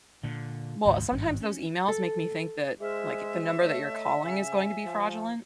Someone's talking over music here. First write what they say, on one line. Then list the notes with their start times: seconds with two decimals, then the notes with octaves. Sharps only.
Well, sometimes those emails make me think that, like, the number that you're calling is going to be fraudulent
0.23 A#2 D3
0.85 G#1 D2 G#2 C#3
1.12 G#1 G2
1.40 C#4
1.88 A4
2.80 G#3 G#4 C5 E5 F6
3.62 A3 C#5 D#5 A#6
4.21 C#3 G#5
4.84 F3